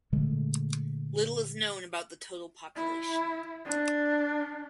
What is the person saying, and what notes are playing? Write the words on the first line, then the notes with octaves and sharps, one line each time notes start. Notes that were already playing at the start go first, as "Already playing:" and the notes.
Little is known about the total population.
A#2 D3 G#3 A3
E4
D4